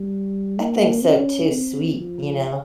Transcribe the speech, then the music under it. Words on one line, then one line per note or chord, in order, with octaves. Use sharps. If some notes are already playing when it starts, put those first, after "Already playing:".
I think so too sweet, you know?
Already playing: G3
A#3
C#4
C4
F3